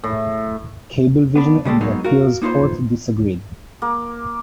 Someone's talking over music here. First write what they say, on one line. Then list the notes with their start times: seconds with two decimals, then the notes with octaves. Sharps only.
Cablevision and the appeals court disagreed.
0.04 A2
1.36 B3 D4 B4
1.65 C#3 G3 G#3 A4
1.81 F#3 G#3 A#3 B3 D#4
2.04 F#4 A#4 F5
2.42 A#3 D#4 F4 B4 C5
3.82 A#3